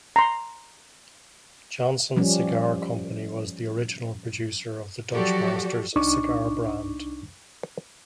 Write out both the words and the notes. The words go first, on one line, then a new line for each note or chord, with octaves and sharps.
Johnson Cigar Company was the original producer of the Dutch Masters cigar brand.
A#5 C6
F3 G3 C#4
F3 F#3 F#4 G4 A4 D5
C2 D4 D#4 C#6 D6